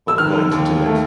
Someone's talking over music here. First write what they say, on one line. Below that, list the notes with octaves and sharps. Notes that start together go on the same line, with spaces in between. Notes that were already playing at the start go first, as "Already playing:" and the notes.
But we're going to do it.
E6
D#3 F6
D#2
A3